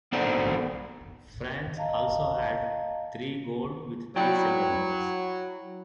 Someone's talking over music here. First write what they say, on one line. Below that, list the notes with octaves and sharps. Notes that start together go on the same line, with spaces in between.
France also had three gold, with three silver medals.
B3 D4 D#4 A4 C5
D#5 F5 A5 A#5
F#3 E4 D5 G5